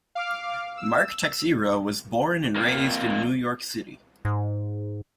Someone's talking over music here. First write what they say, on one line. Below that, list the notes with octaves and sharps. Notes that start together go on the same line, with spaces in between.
Mark Texeira was born and raised in New York City.
F5 D6 F6
E6
F2 A#3
G#2